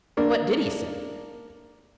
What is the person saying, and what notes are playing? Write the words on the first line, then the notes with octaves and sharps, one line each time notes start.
"What DID he say?"
A#3 D4